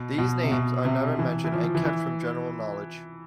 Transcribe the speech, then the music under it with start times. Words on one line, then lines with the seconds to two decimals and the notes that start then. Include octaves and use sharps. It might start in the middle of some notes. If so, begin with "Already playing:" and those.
These names are never mentioned and kept from general knowledge.
Already playing: B2
0.18 B2
0.43 C3
0.51 B2
0.85 C3
1.19 E3
1.44 E3
1.52 F3
1.63 F3
1.75 E3
1.85 E3